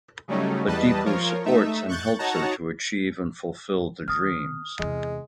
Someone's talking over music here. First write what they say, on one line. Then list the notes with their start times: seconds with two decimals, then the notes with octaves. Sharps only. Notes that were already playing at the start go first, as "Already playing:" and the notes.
But Dipu supports and helps her to achieve and fulfill the dreams.
0.28 C#3 F#3 G3 A3 C#4 D#4
0.67 E2 G3 B4 D#5 A5
1.05 F3 F4 A#4 C#5
1.45 A3 D#4 E5
1.88 C#6 F#6 G6 A6
2.19 D#4 F#4 C#5 F#5 A5 A#5
4.08 D#3 D#6 F6
4.79 E2 C3 G#3